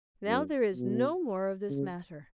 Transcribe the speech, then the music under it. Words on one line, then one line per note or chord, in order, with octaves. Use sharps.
Now there is no more of this matter.
F#2
B2
C#3